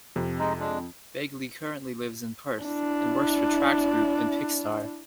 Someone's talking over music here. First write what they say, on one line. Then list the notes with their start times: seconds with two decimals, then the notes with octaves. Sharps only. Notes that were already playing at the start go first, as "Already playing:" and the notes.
Begley currently lives in Perth, and works for Tract Group and PickStar.
0.16 F2 C3
0.39 G#3 D#4
0.60 G#3 D4
2.63 D4 E4